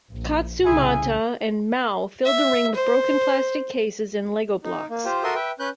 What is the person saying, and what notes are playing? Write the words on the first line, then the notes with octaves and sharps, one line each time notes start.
Katsumata and Mao filled the ring with broken plastic cases and Lego blocks.
A#1
C2 A#2 C#3 E4 G#4 G#5
E5
C5
D#4
A#3
F4 G4 C5
F#4 A4 A#4 E5 C6 D#6
B4 E5 G5
C#4 B4 F#6 G6